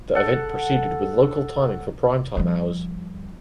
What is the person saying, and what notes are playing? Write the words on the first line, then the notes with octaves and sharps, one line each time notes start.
The event proceeded with local timing for prime time hours.
A4 F#5
F3 G3